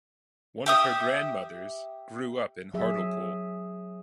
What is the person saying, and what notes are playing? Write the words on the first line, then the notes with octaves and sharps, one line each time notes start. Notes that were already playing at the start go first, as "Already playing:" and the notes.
One of her grandmothers "grew up in Hartlepool".
G4 E5 D#6
F#3 G#4 E5